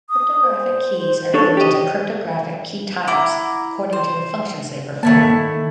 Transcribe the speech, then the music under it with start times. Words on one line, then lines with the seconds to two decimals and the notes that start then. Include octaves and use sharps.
Cryptographic keys are grouped into cryptographic key types according to the functions they perform.
0.10 D#6
0.44 C5
1.34 D4 A4 C#5
1.57 G4 D#5
3.08 E4 F#5 A#5 D6
3.93 C5
5.03 D#3 A3 A#3 E4 A5